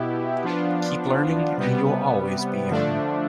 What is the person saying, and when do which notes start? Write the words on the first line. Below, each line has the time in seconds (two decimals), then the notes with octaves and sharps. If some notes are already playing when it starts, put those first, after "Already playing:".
Keep learning and you'll always be young.
Already playing: B2 B3 E4 G4
0.44 F3 B3 D4 F4
1.58 C3 G3 B3
2.70 D3 F3 A3 D4